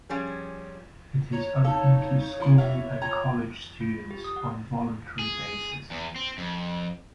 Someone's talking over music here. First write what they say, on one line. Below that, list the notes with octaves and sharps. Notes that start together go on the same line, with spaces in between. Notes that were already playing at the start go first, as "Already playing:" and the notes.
It is open to school and college students on voluntary basis.
F3 G3 C#4 G#4
C#5 A#5
D#4 A4 F5
A#2 F3 E4
E3 E5 F5
F4 G5 A#5 G#6
F4
G4
D#6
F#5
G#4
E2
C4
F2